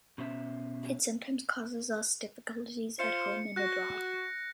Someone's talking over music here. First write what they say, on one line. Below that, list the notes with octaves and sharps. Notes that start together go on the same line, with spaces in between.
It sometimes causes us difficulties at home and abroad.
B2 C#4 C5 E5
F4 C5 C#7
F#4 F#6 A#6